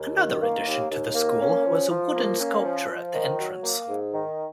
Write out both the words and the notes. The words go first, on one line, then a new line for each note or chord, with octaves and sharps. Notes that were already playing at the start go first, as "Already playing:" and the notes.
Another addition to the school was a wooden sculpture at the entrance.
Already playing: D#2
D#3
A#3
D#2
D#2
A#3
C#4
F3
F3
A#3
C#4
F3
F3
D#3
F#3
A#3
G#2
D#3